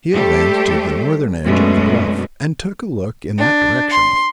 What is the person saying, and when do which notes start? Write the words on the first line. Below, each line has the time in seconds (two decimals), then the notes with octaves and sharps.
He advanced to the northern edge of the bluff, and took a look in that direction.
0.11 G3 A3 G4 A4 C5
1.44 F#2 B2 G#3 A3 C#4 D4
3.38 D4
3.92 C6